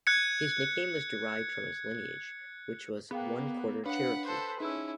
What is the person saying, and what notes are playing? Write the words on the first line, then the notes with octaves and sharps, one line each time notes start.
His nickname was derived from his lineage, which was one-quarter Cherokee.
F#6 G#6 C#7
A#3 B3 G#4 F5 G5
D4 B4 C#5 F5 F#5 B5
A4 C5 G6
C#4 D#4 E4 G#4 E6